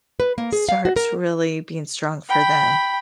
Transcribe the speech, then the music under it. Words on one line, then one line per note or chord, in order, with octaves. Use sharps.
starts really being strong for them.
B4
A#3
G#4
F5
F#4
A#4
G5 B5